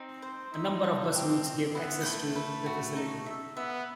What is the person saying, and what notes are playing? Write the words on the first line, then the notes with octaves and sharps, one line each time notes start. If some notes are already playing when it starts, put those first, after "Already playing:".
A number of bus routes give access to the facility.
Already playing: C4 D#4
C5
D#4 E5
A5
C4 G4
D#5
B3 E4
A3 E4
B4
F#4
D#4
E5
B3 E5